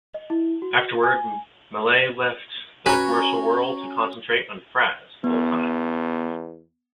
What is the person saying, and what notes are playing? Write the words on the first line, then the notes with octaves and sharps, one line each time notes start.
Afterwards, Mallett left the commercial world to concentrate on Frazz full-time.
D#5
E4
F#4
G#5
C#4 F#4 B4 C#5 G#5 A#5 C#6
E2 B3